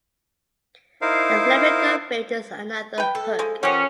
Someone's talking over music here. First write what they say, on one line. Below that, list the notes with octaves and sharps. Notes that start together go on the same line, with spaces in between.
The flamenco bit is another hook.
D#4 E4 A#4 C5 F5
B4 G5
A4
F3 G#3
F3 C#4 G4 A#4 F#5